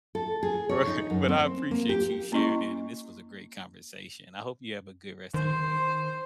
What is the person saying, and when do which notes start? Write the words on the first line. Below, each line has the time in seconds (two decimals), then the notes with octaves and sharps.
Right, but I appreciate you sharing it, and this was a great conversation. I hope you have a good rest of your week.
0.15 A4
0.43 G#4
0.69 C#5
0.87 D#4
1.10 F#2
1.28 C4
1.71 A#3
1.89 G4
2.32 A#3 C#4 E4 D#5 C#6
5.34 D#3 C5